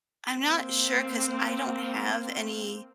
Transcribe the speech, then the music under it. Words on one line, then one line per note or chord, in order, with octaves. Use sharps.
I'm not sure 'cause I don't have any
A#3 C4